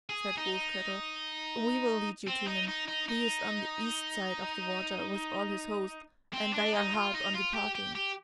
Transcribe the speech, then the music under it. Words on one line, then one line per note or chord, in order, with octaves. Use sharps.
Said Wolfkettle, "We will lead you to him; he is on the east side of the water, with all his host, and they are hard on departing."
G#4
D#4
C4
D#4
D#4
D#4
D#4
C4
D4
D#4
F4
D#4
F4
G4
G4
G4